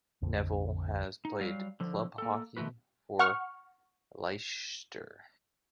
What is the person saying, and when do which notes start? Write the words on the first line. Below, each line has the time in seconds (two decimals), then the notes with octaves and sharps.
Nevill has played club hockey for Leicester.
0.22 A#1 F2 D3
1.25 D#4
1.40 F#3 G3 F5
1.80 D3 F3
2.18 A#3 A4
2.57 D#3 F3 A3 F#4 B4
3.19 F#5 C#6 F6